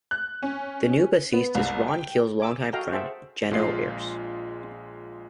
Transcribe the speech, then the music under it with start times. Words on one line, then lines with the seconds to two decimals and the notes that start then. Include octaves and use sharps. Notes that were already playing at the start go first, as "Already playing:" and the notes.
The new bassist is Ron Keel's longtime friend, Geno Arce.
0.11 F#6
0.43 C#4
1.33 B3
1.55 C2
1.88 G5
2.40 G#5 D6 E6
2.73 F#4 A4 D#5 F5 G5 A#5
2.92 G#4 C5 E5 F#5 G5 A5
3.51 A#1 G#3 F4 C7